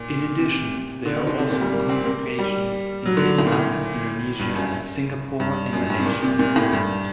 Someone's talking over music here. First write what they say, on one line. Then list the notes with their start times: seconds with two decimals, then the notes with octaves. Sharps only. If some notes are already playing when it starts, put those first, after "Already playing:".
In addition, there are also congregations in Vietnam, Indonesia, Singapore, and Malaysia.
Already playing: A#2
0.39 C3
1.06 D3
1.16 D#3
1.27 D3
1.38 C3
1.50 A#2
1.61 G3
1.72 A#3
1.89 C4
2.05 A#3
2.39 G3
3.05 F#3
3.17 D3
3.38 A2
3.47 A#2
3.52 A2
4.39 G2
4.56 F#2
5.40 G2
5.73 F#2
5.90 G2
6.00 C3
6.06 A#2
6.22 C3
6.39 A#2
6.56 A2
6.73 G2